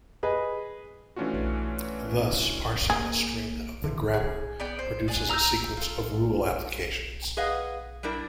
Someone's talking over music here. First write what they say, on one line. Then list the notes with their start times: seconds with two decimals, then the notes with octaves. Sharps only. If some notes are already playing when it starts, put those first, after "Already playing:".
Thus, parsing a string of the grammar produces a sequence of rule applications.
0.23 G#4 B4 D#5
1.16 E3 A3 C#4 D4 F4 F#4
2.90 A#3 G#4
3.82 D#1 D3 E3
4.14 G#4
4.60 B3 D5 G5
4.79 C5
5.08 D4 G#5
5.29 A#5 E6 F#6 G6
5.77 F4 A4
7.37 G#4 B4 D#5 F5 F#5
8.03 G3 D4 E4 A#4 D5